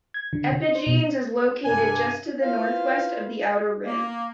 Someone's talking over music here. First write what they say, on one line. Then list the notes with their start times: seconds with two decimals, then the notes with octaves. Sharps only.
Epigenes is located just to the northwest of the outer rim.
0.14 G#6
0.33 D3
0.50 C3
0.63 D#5
0.75 C5
0.87 B2
1.65 G2 C3 G#5
2.42 E4 F4 B4 C5 F5
3.86 A#3